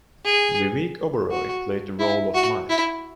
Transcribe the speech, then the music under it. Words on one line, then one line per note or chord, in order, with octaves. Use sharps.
Vivek Oberoi played the role of Maya.
G#4
F#4
E4
F#4
E4